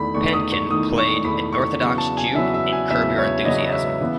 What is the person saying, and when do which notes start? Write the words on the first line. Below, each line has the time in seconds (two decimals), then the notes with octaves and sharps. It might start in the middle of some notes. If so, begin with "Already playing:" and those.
Pankin played an Orthodox Jew in "Curb Your Enthusiasm".
Already playing: E2 D#3 A3 B5
0.15 E2 D#3 A3 C#6
0.33 D#6
0.52 C#6
0.71 E2 D#3 A3 D#6
0.98 C#6
1.25 E2 D#3 A3 B5
1.53 C#6
1.80 E2 C#3 F#3 B3 C#6
1.98 A5
2.17 G#5
2.35 E2 C#3 F#3 B3 E5
2.54 E5
2.72 G#5
2.91 E2 C#3 F#3 B3 E5
3.18 C#5
3.45 E2 C#3 F#3 B3 D#5
3.72 E5
4.01 C#3 E3 B3